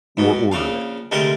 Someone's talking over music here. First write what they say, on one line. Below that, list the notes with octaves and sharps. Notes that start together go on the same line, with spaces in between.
or order it.
G#2 B2
A#1 C#3 F5
D2 C3 G3 G#3 A#4